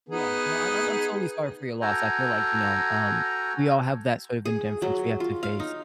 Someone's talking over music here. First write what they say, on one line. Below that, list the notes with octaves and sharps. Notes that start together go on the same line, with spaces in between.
Yeah, no, I'm I'm I'm totally sorry for your loss, I feel like, you know, um, we all have that sort of indifference we have to face
B3 D#4 G#4
F#4 A4 G5 G#5 A#5
G#4
F#3
F4
F5
D#4